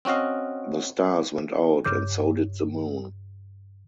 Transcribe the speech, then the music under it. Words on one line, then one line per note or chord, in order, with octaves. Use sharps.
The stars went out and so did the moon.
C4 C#4 F#4 D#5 F5
G2 C#3 D6 G6